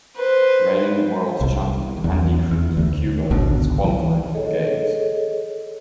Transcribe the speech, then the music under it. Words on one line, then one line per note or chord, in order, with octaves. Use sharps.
Reigning World Champion Andy Cruz of Cuba has qualified for the Games.
B4 C5
C2
E2
E2
D2
G#1 C#2 B2 D3
E3 F3
G#4 A4 C#5 D#5